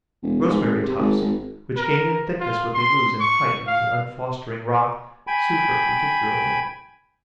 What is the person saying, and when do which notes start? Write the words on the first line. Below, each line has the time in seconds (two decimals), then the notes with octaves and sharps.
Rosemary- tufts, which gain in thickness what they lose in height on the unfostering rock, suit her particularly.
0.23 E1
0.48 G#2
0.60 G#1
0.83 C3
0.99 G#1
1.21 G#1
1.77 A#4
2.40 F4
2.74 C6
3.20 C#6
3.67 F5
5.27 G5 G#5 B5